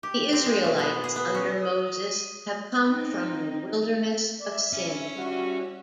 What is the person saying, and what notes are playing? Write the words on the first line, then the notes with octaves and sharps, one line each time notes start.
The Israelites under Moses have come from the wilderness of Sin.
G4
C4
G#3
B2
B3
G#4
B3
C#4
D#6
C4 D#4
D5 E5
C#4 E4
G3 F#4